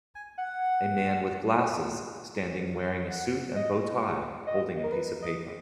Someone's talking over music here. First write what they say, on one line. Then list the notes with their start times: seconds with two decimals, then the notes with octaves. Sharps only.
A man with glasses standing wearing a suit and bowtie holding a piece of paper.
0.15 G#5
0.38 F#5
3.10 F#5
3.56 D#5
4.47 D#5
4.83 A#4
4.92 B4
5.22 D#5